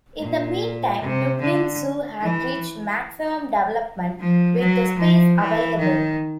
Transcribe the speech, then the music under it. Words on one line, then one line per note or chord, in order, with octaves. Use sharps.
In the meantime, Dublin Zoo had reached maximum development with the space available.
A#2
C3
D3
E3
F3
F#3
F3
E3
D#3